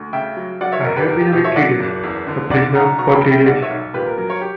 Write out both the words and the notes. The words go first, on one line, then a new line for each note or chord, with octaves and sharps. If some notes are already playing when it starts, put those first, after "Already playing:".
I have been awake three days — a prisoner for three days.
Already playing: D2
C#3 E5 G5
F#3
F#3 D5 F#5
C#5 E5
F#1 A#4
G4 B4
E2 A#4
G4
B2 G4
C#5 E5
F#3 D5 F#5
F#1
E2
D3
B1 D5 F#5
B1 F#5 A#5
B2 A#5 C#6
G5 B5
G3
E5 G5
B1 D5 F#5
C#5 E5
B1
A#2 G4 B4
A#4
F#3 A#4
A#4 C#5
G4